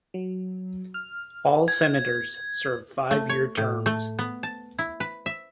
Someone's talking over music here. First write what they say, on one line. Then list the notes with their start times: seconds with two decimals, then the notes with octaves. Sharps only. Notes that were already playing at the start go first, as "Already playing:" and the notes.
All senators serve five-year terms.
0.14 F#3
0.94 F6
1.68 G#6
3.11 A3
3.29 C#5
3.57 A2
3.86 A3
4.19 B3
4.43 A5
4.79 E4
5.00 B4
5.26 E5